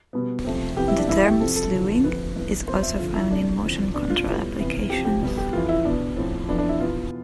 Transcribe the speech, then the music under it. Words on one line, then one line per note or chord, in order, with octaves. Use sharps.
The term slewing is also found in motion control applications.
B2 G3 B3
C3 F3 A3 C4
E2 C3 F3 B3 G4
E4
D4
G2 E3 B3 E4
G4
C3 F3 C4 A4
A4
E2 D3 F3
F2 D3 A3 C4 B4
G2 E3 B3
C3 F3 B3 C5
E5
F2 D3 F3 F4
E4
E2 C3 F3 A3 D4
E2 D3 F3 C4
B2 B3 D4
F4
A2 G3 B3
C3 E3 B3
C3 F3 C4 G4
G4
B2 G3 B3
G4
F2 E3 B3 F4
E4
B2 B3 D4
A2 F3 C4
F2 E3 B3 D4
D4
E4
E2 B2 B3 F4